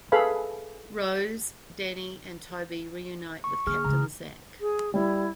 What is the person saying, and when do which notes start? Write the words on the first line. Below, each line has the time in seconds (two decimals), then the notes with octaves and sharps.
Rose, Danny and Toby reunite with Captain Zach.
0.12 G#4 A4 B4 F5 B5
3.44 C#6
3.67 D3 A#3 G#4 F6
3.85 C#3 A3 A#5
4.60 G#4
4.94 G3 E4